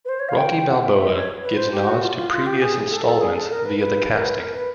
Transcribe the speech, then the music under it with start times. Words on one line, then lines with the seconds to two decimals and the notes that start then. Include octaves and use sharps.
"Rocky Balboa" gives nods to previous installments via the casting.
0.05 B4
0.08 C5
0.19 C#5
0.28 F5
0.38 G5
0.69 F#5
0.83 E5
0.97 E5
1.07 D#5
1.17 C#5
1.42 B4
1.56 C5
1.71 G4
1.87 F#4
2.02 F4
2.17 F4
2.32 F4
2.46 G4
2.61 G#4
2.90 A4
3.05 A4
3.21 G#4
3.34 A4
3.50 A#4
3.65 B4
3.79 B4
4.13 A#4
4.24 B4
4.38 A#4
4.54 B4